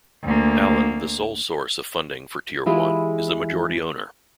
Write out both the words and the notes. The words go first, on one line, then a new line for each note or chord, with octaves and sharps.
Allen, the sole source of funding for Tier One, is the majority owner.
D2 A#3
E3 G#3 E4 F4 G4 G#4